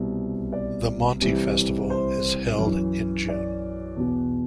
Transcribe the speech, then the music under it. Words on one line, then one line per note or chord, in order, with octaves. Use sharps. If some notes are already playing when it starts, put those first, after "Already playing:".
The Monti Festival is held in June.
Already playing: C2 B2
D5
C2 C3 E3
C5
F#2 E3
D5
E2 B2